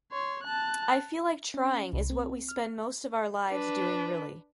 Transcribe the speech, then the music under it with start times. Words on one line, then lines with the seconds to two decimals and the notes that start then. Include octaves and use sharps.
I feel like trying is what we spend most of our lives doing really.
0.12 C#5 C6
0.44 A5 F#6
1.54 C#4
1.93 C2
2.10 C4
2.49 F6
3.49 D4 B4